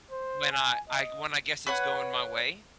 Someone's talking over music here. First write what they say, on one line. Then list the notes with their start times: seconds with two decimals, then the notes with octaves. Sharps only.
When I I when, I guess it's going my way.
0.11 C5
0.52 G#5
0.88 D#5
1.66 B4 C#5 F#5